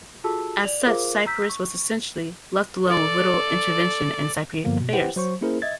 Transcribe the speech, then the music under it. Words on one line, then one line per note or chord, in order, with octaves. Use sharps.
As such Cyprus was essentially "left alone with little intervention in Cypriot affairs".
F4 F#4 G#4 A4 A5 E6
D5 F7 F#7
F4 G#4 A#4 C5 F5 D6
A#5 E6 G6 B6
C#6
A4 D5
G2 D3 F3 A#3 B3
B2
E4 G4 B4 C5 F#5 G5
F#3 C5 C#6
A#3 C#4 E4 G#4 A#4 C5
D#5 E5 G#6 A6